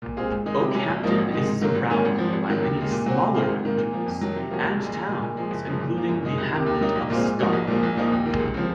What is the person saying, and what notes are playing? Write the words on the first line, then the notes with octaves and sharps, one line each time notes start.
Okehampton is surrounded by many smaller villages and towns including the hamlet of Stockley.
A#2
G#3 C4 F4 G#4
G#2
D#3 G#3 D#4
C3
F#3 C#4
A#1
G#2 F3 A#3 D#4
G#1
G#2 D#3 G#3 D#4
G#2
D#3 F#3 A#3
G#1
G#2 D#3 A#3 C#4
G#1
G#2 F3
G#1
G#2 D#3 F#3
D#2
C#3 G#3
A#2
F#3 C4 F#4
C3
D#3 G#3 C4 F4
G#1
G#2 D#3 A#3
A#2
F3 A#3
F2
D#3 F#3
C3
F3 A#3 C#4 F#4
A#1
A#2 G#3
A#1
A#2 G#3
A#2
F3 G#3
F#1
F#2 F3 G#3
A#2
F3 A#3
F#2
D#3 G#3 D#4
C2
C3 D#3
D#2
D#3 F#3 A#3 D#4
A#1
A#2 G#3 C4 F4
G#2
F3 A#3 D#4 F#4
A#1
A#2 F3 A#3
A#1
A#2 F3 A#3 D#4
D#2
D#3 G#3
C#2
C#3 F3 C4